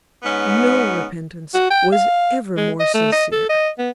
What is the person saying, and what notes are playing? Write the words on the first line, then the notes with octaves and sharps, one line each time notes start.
No repentance was ever more sincere.
G#2 B3 C#4
F#4
G5
F5
G#3
D#5
A3
D#5
A4
D#5
B3